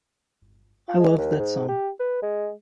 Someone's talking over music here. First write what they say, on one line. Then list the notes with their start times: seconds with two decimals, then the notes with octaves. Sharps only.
I loved that song.
0.88 F4
1.00 G#3
1.17 D#2
1.39 G#2
1.68 G4
1.99 B4
2.22 G#3